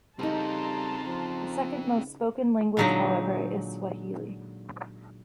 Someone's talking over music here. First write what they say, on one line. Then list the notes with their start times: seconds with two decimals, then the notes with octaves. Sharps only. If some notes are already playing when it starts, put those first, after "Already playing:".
The second most-spoken language however is Swahili.
0.19 C#3 G3 C4 D#4 A4 A5 A#5 C6
1.08 F3
2.77 A#2 D3 F#3 G#3 D#4